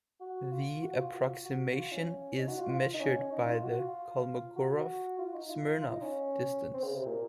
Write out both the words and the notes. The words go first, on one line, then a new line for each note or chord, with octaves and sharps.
The approximation is measured by the Kolmogorov-Smirnov distance.
F#4
F4
F#4
F4
F#4
F4
F#4
F4
C#4
D#4
F#4
F4
F4
D#4
C#4
D#4
F4
F#4
F4
F#4
F#4
F4
D#4
F4
F4
D#4
C#4
C4
C#3
C3
A#2